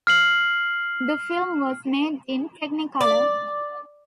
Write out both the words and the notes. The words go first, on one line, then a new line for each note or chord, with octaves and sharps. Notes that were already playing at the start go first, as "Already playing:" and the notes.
The film was made in Technicolor.
F6 C7 F#7
D5